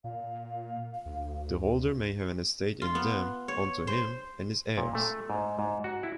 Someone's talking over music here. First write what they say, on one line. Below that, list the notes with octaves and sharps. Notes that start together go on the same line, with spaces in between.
The holder may have an estate in them, unto him and his heirs.
A#2 F5
D2
F4
B3
C#5
C5
A#2
A3
G#2
G#2
F#4
E4